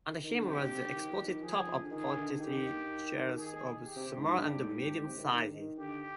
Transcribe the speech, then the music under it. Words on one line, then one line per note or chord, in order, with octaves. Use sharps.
Under him were the exposed tops of pottery jars of small and medium sizes.
D#3
D3
C3 G4
G2
C3
D3
D#3
F3
D#3
F3 G#4
D3
D#3 G#4
D3
D#3 G4
D3
D#3
G#4
G4
C3
G2
G#2
G2
G#2
G2
G#2
C3
D#3
D#3
D3
D#3
D3 G4